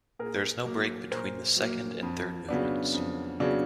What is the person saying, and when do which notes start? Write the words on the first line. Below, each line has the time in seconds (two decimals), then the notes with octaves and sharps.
There is no break between the second and third movements.
0.19 A#2 G#4 A#4
0.65 F#3 A#3
1.11 A#2 A#4 C5
1.56 F#3 A#3
2.03 F2
2.48 C#3 F#3 B3 D4
2.94 F2
3.40 C#3 F#3 B3 D4